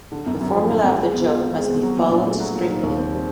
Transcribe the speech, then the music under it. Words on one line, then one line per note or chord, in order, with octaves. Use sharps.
The formula of the joke must be followed strictly.
D3
F#2
F#2
F3
D3
F#2
G#3
B2
F4
C4
G#3
B2
F#3
A#2
D4
A3
F#3
A#2
D#3
D#2
C4
G3